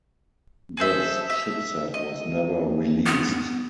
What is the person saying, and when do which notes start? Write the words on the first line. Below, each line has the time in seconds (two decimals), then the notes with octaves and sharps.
This chipset was never released.
0.77 G#4 A4 C5 E5
1.30 E5
1.94 D#5
3.06 B3